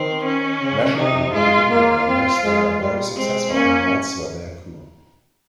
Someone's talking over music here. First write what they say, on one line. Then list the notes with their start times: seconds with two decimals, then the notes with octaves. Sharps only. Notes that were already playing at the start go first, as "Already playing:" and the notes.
Measured in individual numbers, they are very successful animals where they occur.
Already playing: D#3 C4
0.25 C#4
0.61 C#3
0.97 C3 D#4
1.34 G#3 F4
1.70 A#3 F4
2.07 C4
2.44 G#3
2.80 G3
3.16 G#3 C4
3.52 A#3 C#4